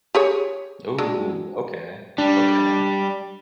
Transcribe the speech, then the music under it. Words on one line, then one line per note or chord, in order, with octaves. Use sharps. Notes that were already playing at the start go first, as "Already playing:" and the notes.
Ooh, okay, okay.
G4 G#4 C#5
F#3 G#3 D4
G3 D4